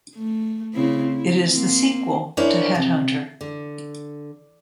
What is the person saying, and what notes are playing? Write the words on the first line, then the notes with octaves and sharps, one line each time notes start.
It is the sequel to "Headhunter".
A3
C#3 C4 E4
E4
A#3 C4
C#4 D4 E4 A#4 C5 C#5
C3
D3